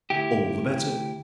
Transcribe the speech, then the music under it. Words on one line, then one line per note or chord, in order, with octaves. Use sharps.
All the better.
D2 E4 G4